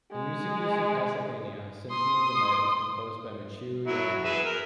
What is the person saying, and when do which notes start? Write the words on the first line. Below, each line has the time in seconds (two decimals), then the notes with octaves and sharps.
The music used in "Castlevania: Symphony of the Night" was composed by Michiru Yamane.
0.11 G#3
1.90 C6 D#6
3.87 F#3 E4
4.25 G#4 B4 E5
4.45 A#4